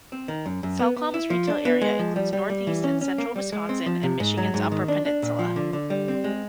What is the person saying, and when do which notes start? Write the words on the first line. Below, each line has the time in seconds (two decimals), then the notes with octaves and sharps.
Cellcom's retail area includes northeast and central Wisconsin and Michigan's Upper Peninsula.
0.12 C4
0.28 D#3
0.46 F#2
0.63 F#2
0.79 B3
0.96 B3
1.14 E4
1.30 F3
1.47 D4
1.65 B3
1.82 G#3
1.99 F3
2.16 G3
2.33 G3
2.50 G3
2.67 E3
2.84 C#4
3.01 C#4
3.18 A#3
3.36 G3
3.52 G#3
3.69 C4
3.86 F3
4.03 C3
4.20 G#2
4.37 F#3
4.54 G#2
4.72 D#3
4.88 D4
5.05 D4
5.23 A#2
5.39 F3
5.56 D3
5.73 D3
5.90 G3
6.08 C4
6.24 G#3